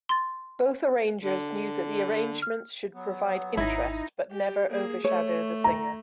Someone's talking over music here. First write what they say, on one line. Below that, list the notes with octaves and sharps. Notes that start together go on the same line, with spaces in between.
Both arrangers knew that the arrangements should provide interest, but never overshadow the singer.
C6 A6
D3
F6
F#3 B3
G#1 D#4 E4
G4
A#3 G#4
A3 C#5
A#5